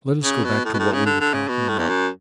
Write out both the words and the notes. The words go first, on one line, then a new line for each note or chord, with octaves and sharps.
Let us go back to what we were talking about.
C#3
B2
A2
B2
A2
C#3
D3
D3
C#3
B2
A2
E2
F#2